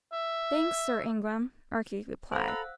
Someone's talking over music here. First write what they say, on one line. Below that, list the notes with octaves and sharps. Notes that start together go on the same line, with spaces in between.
"Thanks, Sir Ingram," Archie replied.
E5
A4 C5 F5 F#5 A#5 B5
E6 F#6